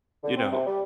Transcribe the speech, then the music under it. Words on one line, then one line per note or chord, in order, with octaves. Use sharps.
you know,
D3
C4
C3
G3